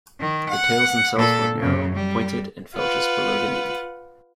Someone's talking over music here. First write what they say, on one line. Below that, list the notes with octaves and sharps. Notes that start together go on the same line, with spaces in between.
The tails themselves were narrow, pointed, and fell just below the knee.
D#3
F#5
A#2 A4
F#2 C#3
G3
F4 B4 F#5